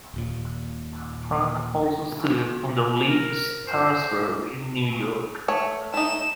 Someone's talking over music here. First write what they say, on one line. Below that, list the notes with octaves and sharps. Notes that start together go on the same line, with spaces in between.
Frank also studied under Lee Strasberg in New York.
D#1 D#2 A#2
A#4
C5
A3 C#5
A3 D#4 E7